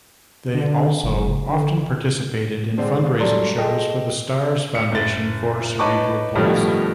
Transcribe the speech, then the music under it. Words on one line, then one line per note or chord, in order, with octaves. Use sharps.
They also often participated in fundraising shows for the Stars Foundation for Cerebral Palsy.
D3
F#1
D3
D3 G#3 C4 D4
F#3 G3 A4 D5 C6
G#4 A4 D#5 G5
C#7
F#1 A6
D#4 B4 C#5 A5 C#6 D6
G2 B2 D#3 F3 G3 A3